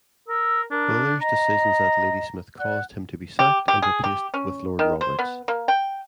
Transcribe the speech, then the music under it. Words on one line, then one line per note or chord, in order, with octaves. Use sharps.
Buller's decisions at Ladysmith caused him to be sacked and replaced with Lord Roberts.
A#4 E6
D4 A#4
D#5 A#5
D5 F#5
G4
G4
G#4
G4
C#4
D#3
C5
B3
A#3
G5